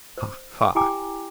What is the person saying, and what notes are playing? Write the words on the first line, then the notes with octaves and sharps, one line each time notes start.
Ha, ha!
C5
E4 G4 G5 G#5 A#5 D6